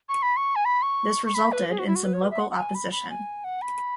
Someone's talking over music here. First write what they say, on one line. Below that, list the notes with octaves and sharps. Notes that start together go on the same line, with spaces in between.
This resulted in some local opposition.
C#6
B5
C#6
G#5
B5
C#6
C#6
B5
B4
G#4
F#4
E4
F#4
B4
C#5
B4
E5
F#5
F#5
G#5
B5
B5
G#5
F#5
B5